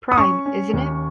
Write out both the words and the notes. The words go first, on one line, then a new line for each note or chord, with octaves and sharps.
Prime, isn't it?
D#6
C#4 C#6
C#4
D#2